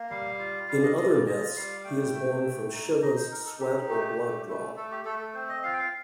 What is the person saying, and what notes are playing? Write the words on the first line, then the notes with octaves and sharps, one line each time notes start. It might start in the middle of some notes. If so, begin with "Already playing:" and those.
In other myths, he is born from Shiva's sweat or blood drop.
Already playing: A#3
G3 F5
F4
G3 F5
D#5
F4 D#5
D5
F4 D#5
G3 F5
A3 G5
A3
A3
D#4
D#4 D#5
C5
D#4 A#4
A4
D#4 G4
A3
A3
A3
A3 A4
G4
A3 A4
A4
C4 C5
D#5
F4 F5
G5
F5